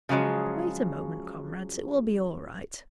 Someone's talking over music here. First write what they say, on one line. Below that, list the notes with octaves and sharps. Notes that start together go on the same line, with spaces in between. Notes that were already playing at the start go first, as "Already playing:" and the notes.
'Wait a moment, comrades, it will be all right.
C#3 F3 F#3 G#3